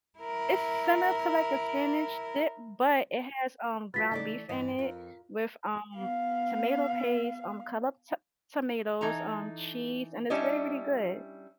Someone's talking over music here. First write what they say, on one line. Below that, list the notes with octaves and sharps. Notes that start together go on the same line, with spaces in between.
It's similar to, like, a spinach dip, but it has, um, ground beef in it with, um, tomato paste, um, cut up t tomatoes, um, cheese, and it's really, really good.
E4 A#4
G3 F4 F#4 B4 A6 B6
C#3 E3 A3 D#4 D5 E6
G2 E3 D#5
F2 F4 A#4
B3 F5
E3 D#4 A4 A#5
G3 C#4 D4 E4 C#5 D#5